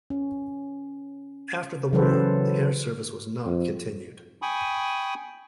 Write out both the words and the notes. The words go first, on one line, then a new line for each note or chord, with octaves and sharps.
After the war, the air service was not continued.
C#4
C#3 E3 F#3 A4 B4 C5
F2
G5 G#5 B5 C#6 D#6